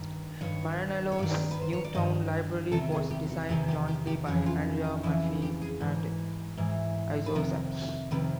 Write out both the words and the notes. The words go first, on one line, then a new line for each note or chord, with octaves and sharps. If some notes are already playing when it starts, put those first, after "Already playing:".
Maranello's new town library was designed jointly by Andrea Maffei and Isozaki.
Already playing: G2 D#3
G2 D#3 C#5
C#5
G2 D#3 D5
B4
C5
C#5
D5
G2 D#3 D#5
E2 C3 D#3 A4
G#4
G4
F#4
E2 C3 D#3 G4
G4
G4
G4
F2 C#3 E3 F#4
F4
D#4
F2 C#3 E3 E4
G4
G#4
G#2 E3
G#2 E3
B4
F2 C3 D#3 A#4
F2 C3 D#3 B4